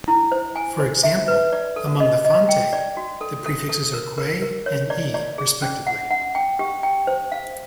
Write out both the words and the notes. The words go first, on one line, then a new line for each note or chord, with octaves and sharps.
For example, among the Fante, the prefixes are "kwe-" and "e-", respectively.
E4
C5
G#5
C5
E5
B4
D5
A4
D#5
D#5
G5
D5
F#4
A4
A4
A4
A#4
A#4
A#4
C#5
D5
D5
G#4
C#4
F#5
F#5
G5
G4
G5
C5
F5